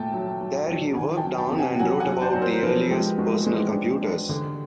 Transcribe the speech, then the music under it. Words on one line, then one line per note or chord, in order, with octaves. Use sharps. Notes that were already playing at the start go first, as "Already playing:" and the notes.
There he worked on and wrote about the earliest personal computers.
Already playing: A#2 A3 G5 A5
F#3
F#3
F#3
D#3 F#5 G#5
G5 A5
F#3
G5 A5
C3
F#5 G#5
F#3 F#5 G#5
F#5 G#5
F#3
C5 D5
F#3
A#4 C5
F3 A4 B4
G#3 G4 A4
G#3 F#4 G#4
G#3
D4
D4
D3